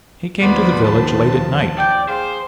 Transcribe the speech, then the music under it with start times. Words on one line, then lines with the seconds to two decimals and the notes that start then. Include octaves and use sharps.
He came to the village late at night.
0.41 D#2 F3 B3 B4 C5 D5 B5
0.84 A5
1.79 D5 G5
2.09 G#4 C5 F5